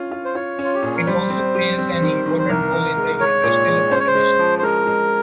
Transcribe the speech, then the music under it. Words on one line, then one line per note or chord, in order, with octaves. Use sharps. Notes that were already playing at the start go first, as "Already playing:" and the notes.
It also plays an important role in industrial automation.
Already playing: C#4 F4
F4
C5
F4 C#5
C#4
F4
G4
A#2 G#4
A#4
G3 C5
C4
G4
C4
D#3
D#3
C5
C2 A#4
C2
G#3
G#3 C#5
A#2
G#3
C#4 C5
C#5
C5
G#3
F3
C5
G#3 A#4
G#3